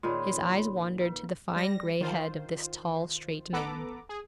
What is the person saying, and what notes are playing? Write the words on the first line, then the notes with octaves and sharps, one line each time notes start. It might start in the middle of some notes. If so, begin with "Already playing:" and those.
His eyes wandered to the fine gray head of this tall, straight man.
A#2 D#3 G#4 C#5 B5 C6
F4 B4
G3 A#6
D#3 F4 C5
A1 B3 A4 B4 A#5 D6
G#4